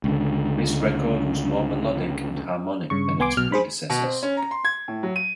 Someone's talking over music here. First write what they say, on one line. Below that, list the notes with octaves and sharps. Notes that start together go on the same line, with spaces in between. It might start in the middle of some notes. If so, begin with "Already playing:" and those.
This record was more melodic and harmonic than its predecessors.
C#2 D3
G2 C#3 C#6
C2 B3 G#5 C6 D6
B1 B2 F6
G#4 C5 B5
B2
C4
C#4
A#5
C6
G#6
A2
F#3
D#7